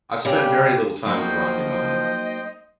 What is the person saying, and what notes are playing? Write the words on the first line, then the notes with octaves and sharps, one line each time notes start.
I've spent very little time in the Rocky Mountains.
C#3 G3 G4
F3 F#3 A#3 D#4 C5 D#5 G5